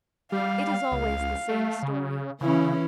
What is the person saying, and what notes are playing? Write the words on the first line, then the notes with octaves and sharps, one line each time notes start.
It is always the same story.
G3 F5
C#2
A3
C#3
C#3 E3 C#4 E4